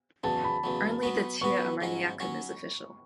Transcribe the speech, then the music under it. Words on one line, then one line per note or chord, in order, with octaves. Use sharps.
Only the "tear ammoniacum" is official.
E2 C#3 F#3 A5
B5
E2 C#3 F#3
F#3 B3 F#4 B4
F#3 B3 F#4 B4 C#6
G#2 F#3 C#4 F#4
F#3 C#4 F#4